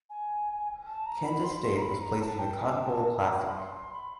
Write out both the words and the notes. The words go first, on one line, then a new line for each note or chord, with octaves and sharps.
Kansas State was placed in the Cotton Bowl Classic.
G#5
A5
A#5
B5
C6
C6
A#5
B5
A#5
A5
G5
G#5
A5
A#5
B5
C6
C6
B5